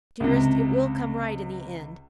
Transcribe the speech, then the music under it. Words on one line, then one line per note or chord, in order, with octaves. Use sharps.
Dearest, it will come right in the end.
C#2 C3